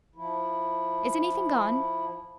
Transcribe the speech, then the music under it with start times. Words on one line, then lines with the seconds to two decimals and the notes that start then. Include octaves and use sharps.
"Is anything gone?"
0.16 F3 E4